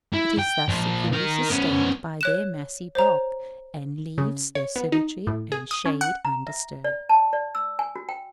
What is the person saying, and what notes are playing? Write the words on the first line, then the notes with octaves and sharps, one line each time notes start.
It is thus securely sustained by their massy bulk, and leaves their symmetry and shade undisturbed.
E4
G5
A#2 F3
D#4 A#4
B3 C#4
C#5 F#6 E7
C5 C#5 A#5
C#3
C#5
B3
D#4
A2
G#4
D#6
C#4
F#5
A#5
E5
D5
A5
D5
E6
G#5
F#4
G5